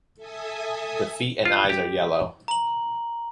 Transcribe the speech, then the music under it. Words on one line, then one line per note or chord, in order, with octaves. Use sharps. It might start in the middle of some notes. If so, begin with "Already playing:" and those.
The feet and eyes are yellow.
A4 E5 G#5 D#6
F4
G4
A#5 F#7